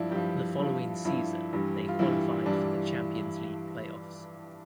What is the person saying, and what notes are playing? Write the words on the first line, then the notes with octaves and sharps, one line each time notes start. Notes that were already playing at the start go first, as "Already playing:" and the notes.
The following season, they qualified for the Champions League play-offs.
Already playing: G2 F3 D4 E4
G2 F3 G4
G2 F3
G2 F3 E4
G2 E3 G3
F4
G2 E3 G3 E4
G2 E3 G3 D4